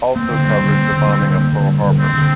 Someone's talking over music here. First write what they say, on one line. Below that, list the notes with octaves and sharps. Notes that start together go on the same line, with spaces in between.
Also covers the bombing of Pearl Harbor.
A#3 C4
D3
G3
D3
A#3
D3
G3
D3
A#3
D3
G3
D3
A#3 C4
D3